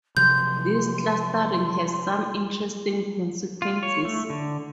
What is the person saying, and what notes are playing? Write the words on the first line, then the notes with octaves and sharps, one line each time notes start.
This clustering has some interesting consequences.
C3 F3 F#3 C6 G6
F4
C#5
A3
D3